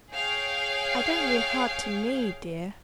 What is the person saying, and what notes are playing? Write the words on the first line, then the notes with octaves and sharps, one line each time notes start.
I don't mean hard to me, dear.
G#4 C#5 F5 G5